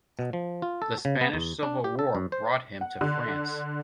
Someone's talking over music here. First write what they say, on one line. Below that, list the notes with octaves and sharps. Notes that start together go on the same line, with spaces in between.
The Spanish Civil War brought him to France.
B2
F3
F4
A4
C#3
B3
E2
D4
G4
A4
F#2
C5
F#5
D3